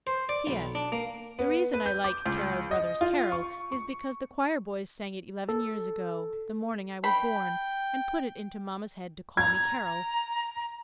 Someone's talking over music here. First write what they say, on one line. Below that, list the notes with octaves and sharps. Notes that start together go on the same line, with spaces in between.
P.S.--The reason I like 'Carol, brothers, carol,' is because the choir-boys sang it eleven years ago, the morning I was born, and put it into Mama's head to call me Carol.
C5
D5
B1
D4
A#3
B3
B4
G6
D6
C#2
D#5
F4
C#6
C#6
A4
G5 B5
A#5 G#6